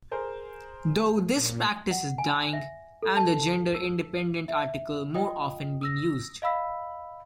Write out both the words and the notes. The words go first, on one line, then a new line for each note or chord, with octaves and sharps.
Though this practice is dying, and the gender-independent article more often being used.
G#4 A#4 C5
A#2
F#5
G#5
E5
A4
A5
E6
E5
F4 D#5 G5 D#6
D#6 E6 A#6
D#5 F5 B5 E6 B6